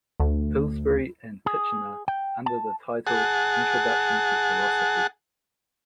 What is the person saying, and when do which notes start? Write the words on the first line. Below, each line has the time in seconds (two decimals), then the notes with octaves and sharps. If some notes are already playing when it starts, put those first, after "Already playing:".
Pillsbury and Titchener under the title Introduction to Philosophy.
0.20 D2
1.46 G#4
2.08 G5
2.46 A5
3.07 G#4 F#5 A5